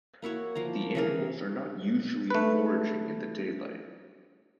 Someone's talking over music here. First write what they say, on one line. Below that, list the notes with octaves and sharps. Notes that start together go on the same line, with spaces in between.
The animals are not usually foraging in the daylight.
A#3 E4 F#4 C#5
F3 A#3 A#5
E3 G#4 A#4
A3 B4